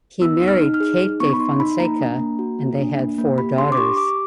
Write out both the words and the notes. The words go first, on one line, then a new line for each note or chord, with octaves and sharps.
He married Kate de Fonseka and they had four daughters.
B3 E6
D#4
F6
D#4
F6
G#4
D#4
B3 C#6
B5
D#4 C6
D#4 B5
A#3 A#5
D4
A#3
F#4
A#3
D4
A#3
A#3
G4 B5
D4 C6
D6
G4 C#6
G4 D6